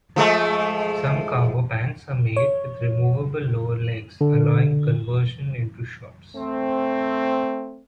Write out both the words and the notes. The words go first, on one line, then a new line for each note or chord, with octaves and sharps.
Some cargo pants are made with removable lower legs allowing conversion into shorts.
F3 G#3 A3
C#5
D3
A3 C4